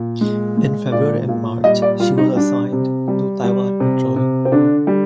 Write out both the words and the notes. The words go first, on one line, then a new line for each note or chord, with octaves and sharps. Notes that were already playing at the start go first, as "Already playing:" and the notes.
In February and March, she was assigned to Taiwan patrol.
Already playing: A#2
G#3
G#3
A#2 D5
A#2
G3 D#5
D5
G3 F4
D#4
G3 D4
C3
G3
G3
C3
C3
C4
D3 D4
G3